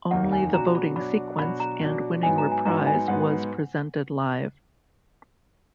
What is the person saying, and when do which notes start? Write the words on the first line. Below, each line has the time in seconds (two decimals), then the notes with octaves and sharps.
Only the voting sequence and winning reprise was presented live.
0.11 F1 D#2 D#3 A#3 D#4 F#5
0.32 G#5
0.54 B2 F#3 D4 F#4 A#5
0.75 B5
0.95 B2 F#3 D4 F#4 B5
1.38 B2 F#3 D4 F#4 B5
1.60 A#5
1.81 B2 F#3 D4 F#4
2.23 G#2 F#3 B3 D#4 G#5
2.38 A#5
2.52 G#5
2.65 G#2 F#3 B3 D#4 A#5
2.87 G#5
3.08 G#2 F#3 B3 D#4 F#5